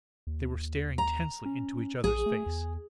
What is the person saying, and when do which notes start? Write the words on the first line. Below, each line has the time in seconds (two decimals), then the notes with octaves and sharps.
They were staring tensely into each other's face.
0.27 D#2
0.98 A#5
1.46 C#4
2.04 A#1 G#4
2.26 A3
2.46 E2